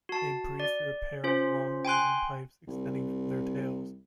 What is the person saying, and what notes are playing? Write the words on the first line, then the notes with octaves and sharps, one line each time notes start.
They breathe through a pair of long breathing pipes extending from their tails.
F#4 A5
D5
C#4 F4 C5
G5 G#5 C6 F#6
C2